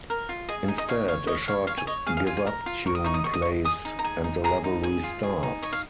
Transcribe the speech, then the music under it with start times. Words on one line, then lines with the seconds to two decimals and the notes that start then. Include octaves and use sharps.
Instead, a short "give up" tune plays and the level restarts.
0.10 A#4
0.29 F4
0.49 G#4 D#5
0.68 D#4 G#5
0.78 D#5
0.89 C#5 F5
1.08 C#5 F5
1.27 C#5 D#5
1.48 C#5 F5
1.67 C#5 F5
1.78 G#5
1.87 C#5 D#5
2.07 G#4 F5
2.17 F5
2.27 F4 G#5
2.37 G#5
2.46 A#4 A#5
2.66 F4
2.86 A#4 C#6
2.95 D#6
3.04 D#4 C#6
3.14 D#6
3.24 D#5 C#6
3.34 D#6
3.42 C#6
3.45 D#5
3.65 G#4 D#6
3.85 D#4
3.99 A#5
4.04 G#4 G#5
4.24 D#4
4.44 G#4 A#5
4.64 D#4
4.83 G#4 G#5
5.04 F4
5.23 G#4
5.43 D#4
5.62 C#5 D#5
5.73 F5